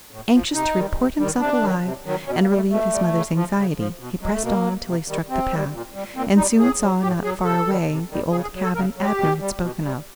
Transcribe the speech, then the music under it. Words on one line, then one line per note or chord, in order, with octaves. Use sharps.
Anxious to report himself alive, and relieve his mother's anxiety, he pressed on till he struck the path, and soon saw, not far away, the old cabin Abner had spoken of.
A2
F3
C3 D#4
D#3 G3
C3
D#3 G3
C3 D4
D#3 F#3
C3
D#3 F#3
B2 C#4
A#3
G3
A3
B2 A3
G3
C#3
F3
C#3
F3
B2
F#3 G#3
A3
B2 A#3
F#3
C3
D#3 G3
C3 C4
D#3 G3
A#2
G3
A#2 C4
G3 D#4
A2 G#4
F#3
A2 G4
F#3 G#4
C3 A4
D#3 G3
C3
D#3 G3
C#3 G#4
G#4
F#3
A4
C#3 A#4
F#3
G4
B2
G3
B2
G3